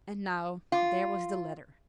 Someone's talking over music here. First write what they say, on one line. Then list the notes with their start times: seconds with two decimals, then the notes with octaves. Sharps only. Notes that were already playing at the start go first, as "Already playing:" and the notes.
And now--there was the letter!
0.72 F4